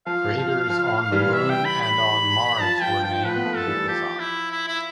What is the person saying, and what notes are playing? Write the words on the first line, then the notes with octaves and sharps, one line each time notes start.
Craters on the Moon and on Mars were named in his honor.
F3 F5
F3
F3
E3 G3
E5
G5
B5
B5
F3 A5
F3 G5
F3 G5
F3 B4
B3
F3 A3
A4
E3 G3
F3 G4
E4
E4
E4